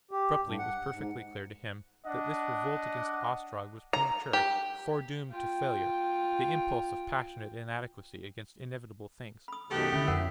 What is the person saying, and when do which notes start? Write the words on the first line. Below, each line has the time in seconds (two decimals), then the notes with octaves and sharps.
Abruptly it was perfectly clear to him that this revolt against Ostrog was premature, foredoomed to failure, the impulse of passionate inadequacy against inevitable things.
0.11 G4
0.44 G2
0.59 F#5
0.93 G#2
2.06 D4 D#5 F#5
3.93 A#5
4.33 G4
5.30 F4 G5
9.48 B5 D#6
9.71 F#2 B2 D#3 A3 B3 G4
9.92 D3 D#3 C#4 E4
10.07 F2 D4 A#4 C#5 F#5